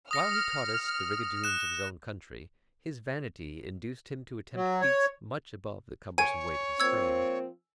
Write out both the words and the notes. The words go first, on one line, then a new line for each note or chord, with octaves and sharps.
While he taught us the rigadoons of his own country, his vanity induced him to attempt feats much above the cumbrous weight of his frame.
D#6 F6 A#6 C#7
F#6 E7
F#3
C#5
C#5 G#5 G#6 D#7
F3 A#3 C4 E6 G#6